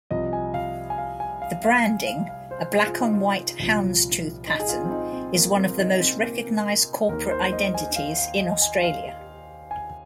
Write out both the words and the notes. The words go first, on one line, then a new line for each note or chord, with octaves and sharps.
The branding-a black-on-white houndstooth pattern-is one of the most recognized corporate identities in Australia.
C2 C3 F3 D#5
G#5
F5
G#5
F5
G#5
F5
F5
G#5
F5
F5
C5
G#4
F4
D#4
F4
C2 A#2 F3
D#4
G#4
F4
C4
D#4
C4
A#3
C4
D#4
C4
A#3
D#2 D#3 A#4
C5
D#5
G#5
F5
F5
D#5
G#5
F5
G#5